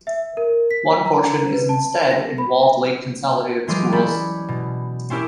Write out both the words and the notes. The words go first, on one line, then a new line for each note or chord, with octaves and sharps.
One portion is instead in Walled Lake Consolidated Schools.
E5
A#4
B6
A#5
B4
A5
A#6
B5
E3 F#3 G#3 F4 G4 G#4
C#4 E4 D5 B5 G6
B2
C4 C#4 E4 G4 A#4